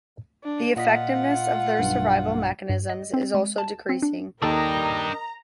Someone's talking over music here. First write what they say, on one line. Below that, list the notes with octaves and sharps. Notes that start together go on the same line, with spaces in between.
The effectiveness of their survival mechanisms is also decreasing.
D4
A#2 F4 D#5 F#5 B6
B1 G2
G2
D#5
C4
G#3
A5
C4
D4
D#2 D4 D#4 A4 A#4 D#5 G5 A#5